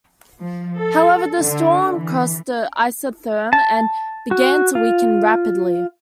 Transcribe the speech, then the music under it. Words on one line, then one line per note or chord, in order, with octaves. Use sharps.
However, the storm crossed the isotherm and began to weaken rapidly.
F3
A4
D3
E3
A5
F#4
F4